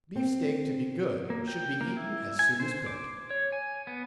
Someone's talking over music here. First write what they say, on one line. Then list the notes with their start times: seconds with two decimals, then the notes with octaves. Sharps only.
Beef steak to be good, should be eaten as soon as cooked.
0.16 C4
1.30 A#3
1.48 G5
1.81 A#3
1.97 E4
2.39 G#5
2.60 C5
2.86 D6
3.30 C#5
3.52 G#5
3.87 B3